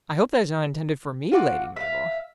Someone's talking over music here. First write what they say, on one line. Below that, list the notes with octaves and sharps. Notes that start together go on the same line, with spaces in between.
"I hope that is not intended for me, Lady Mabel."
F4 F#4 D6
E5 F5